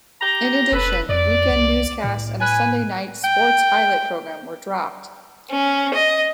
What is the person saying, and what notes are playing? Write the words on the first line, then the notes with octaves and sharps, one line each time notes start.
In addition, weekend newscasts and a Sunday night sports highlight program were dropped.
G4 A#5
F1 A4 B4
F2 D5
C2
A2
B4 G#5
G5
C#4
D#5